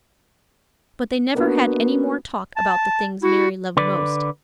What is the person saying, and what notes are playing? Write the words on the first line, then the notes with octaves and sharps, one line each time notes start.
But they never had any more talk about the things Mary loved most.
A#3 B3 D4 F#4
A5
E4 F#4
D3 B4 D5